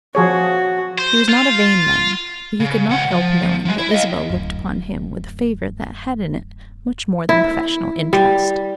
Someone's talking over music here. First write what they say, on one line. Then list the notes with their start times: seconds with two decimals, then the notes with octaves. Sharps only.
He was not a vain man, but he could not help knowing that Isabel looked upon him with a favour that had in it much more than professional interest.
0.15 F3 F#4 G#4 C#5
0.98 C5
1.29 F4
2.60 C#3
2.89 C#2 F#5
3.11 F3
3.65 F3 G#3
3.78 E4
3.91 D#5 F5
4.29 D1 F#2
7.29 E4
8.13 G3